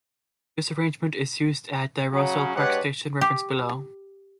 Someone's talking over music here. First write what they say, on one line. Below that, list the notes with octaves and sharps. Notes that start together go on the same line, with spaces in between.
This arrangement is used at the Roselle Park Station referenced below.
C#3 F#3 C#4
G#3 D4 G4 B4 C#5 F#5
G4